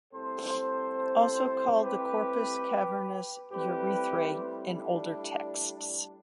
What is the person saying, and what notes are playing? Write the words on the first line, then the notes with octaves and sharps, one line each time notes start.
Also called the corpus cavernous urethrae in older texts.
A2 G3 C4 A4 C5
G4 B4
A2 G3 C4 G4 B4
C4
D4